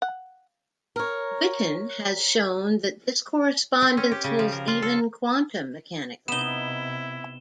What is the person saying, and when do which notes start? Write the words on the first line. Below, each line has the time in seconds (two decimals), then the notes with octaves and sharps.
Witten has shown that this correspondence holds even quantum mechanically.
0.02 F#5
0.96 A#4 C#5
3.82 C4
3.97 C#4
4.12 G4
4.24 C#3
4.39 F3
4.52 A#4
4.68 F4
4.82 A4
6.28 C3 B3 D#4 E4 E7 G7